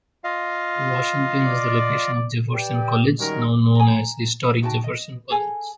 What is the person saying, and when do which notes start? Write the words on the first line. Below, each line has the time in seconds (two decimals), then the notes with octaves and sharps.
Washington is the location of Jefferson College, now known as Historic Jefferson College.
0.24 F4 D#5 F5
1.45 D5
2.53 G4 B4 D5 G5
3.19 D#3 G3 G#3 C#4 F#4 A#4
3.75 G#5 A#5
4.62 D#4 F#4 G5 A5
4.84 D#5
5.30 G#4 A4 G#5